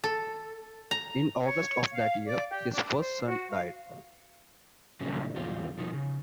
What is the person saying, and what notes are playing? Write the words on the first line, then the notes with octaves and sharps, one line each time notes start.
In August of that year, his first son died.
A4
A#5
C#5
F5
D5
G4
D4
C5
F#4
F5
A#2 C#3 F#3 G3 C#4
E2 G3 F4
B2 F3 D#4
C#3